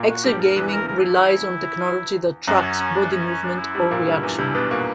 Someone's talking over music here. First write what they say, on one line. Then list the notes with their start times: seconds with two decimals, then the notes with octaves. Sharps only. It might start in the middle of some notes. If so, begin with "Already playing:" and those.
Exergaming relies on technology that tracks body movement or reaction.
Already playing: A#2 A#3
0.08 F#4
0.24 G2 G3 G4
0.40 A#4
0.56 E2 E3 B4
0.68 B4
0.73 A#4
0.88 A#4
0.99 D4
1.04 E4
2.47 F#2 F#3 D4
2.63 C#4
2.79 C#4
2.95 D4
3.11 C#4
3.27 C#4
3.44 D4
3.59 E4
3.75 G2 G3
3.91 A#2 A#3
4.07 G2 G3
4.23 E2 E3
4.38 G2 G3 E4
4.50 E4
4.55 B2 B3 D4
4.71 A#2 A#3 F#4